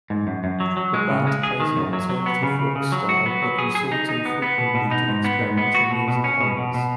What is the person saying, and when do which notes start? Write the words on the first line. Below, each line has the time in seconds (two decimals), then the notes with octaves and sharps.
The band plays in alternative rock style, but resorting frequently to experimental music elements.
0.10 G#2
0.27 F#2
0.44 F#2
0.60 F#3
0.77 F#3
0.94 G#3
1.10 C#3
1.27 G#3
1.43 G#4
1.60 D#3
1.76 F#2
1.93 F#3
2.09 F#3
2.26 B3
2.43 C#3
2.59 C#3
2.75 C#3
2.92 F#3
3.09 F#4
3.26 B3
3.42 F#3
3.59 G#4
3.75 G#4
3.92 D#4
4.09 D#4
4.25 B3
4.42 B3
4.58 B2
4.75 B2
4.91 D#4
5.08 G#2
5.24 B3
5.41 G#2
5.57 B3
5.75 F#4
5.91 B2
6.08 B2
6.24 C#4
6.41 B2
6.57 B2
6.74 B2